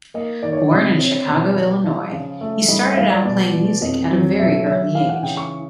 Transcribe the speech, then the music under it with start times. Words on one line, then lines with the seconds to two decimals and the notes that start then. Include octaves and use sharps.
Born in Chicago, Illinois, he started out playing music at a very early age.
0.14 A#3 D#5
0.43 D#3 D5
0.52 C#5
0.57 D5
0.71 C3 D#5
0.85 D#5
0.99 C4 C#5
1.28 B2
1.55 F3 D5
1.84 F3
2.12 C#3
2.41 A3
2.68 G3 D#5
2.83 D#5
2.93 E5
2.97 G3 F5
3.11 D5
3.25 B2 D5
3.53 B2
3.82 F2 D#5
4.10 F#3
4.39 B2 E5
4.67 F#3 E5
4.95 E3 F5
5.09 F#5
5.23 C#3 G5
5.37 C#6